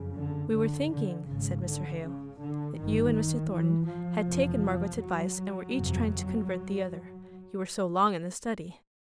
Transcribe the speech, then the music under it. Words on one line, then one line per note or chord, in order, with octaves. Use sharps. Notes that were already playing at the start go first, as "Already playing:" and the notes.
'We were thinking,' said Mr. Hale, 'that you and Mr. Thornton had taken Margaret's advice, and were each trying to convert the other, you were so long in the study.'
Already playing: F#1 F2 C#3
D3
D3
D3
G#1 G#2 C#3
D3
C#3
D3
G1 G2 D#3
E3
F3
F1 E2 C3
F#3
G1 F2 C3